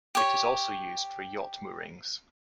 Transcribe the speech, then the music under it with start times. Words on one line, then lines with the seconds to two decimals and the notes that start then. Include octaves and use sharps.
It is also used for yacht moorings.
0.15 G4 C#5